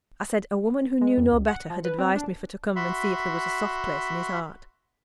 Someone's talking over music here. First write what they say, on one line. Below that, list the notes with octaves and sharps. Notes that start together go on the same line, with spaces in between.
I said, a woman who knew no better had advised me for to come and see if there was a soft place in his heart.'
G#3
F2
C#2
F#5
F3
B4
C4
D4
F#4 E5 B5 C6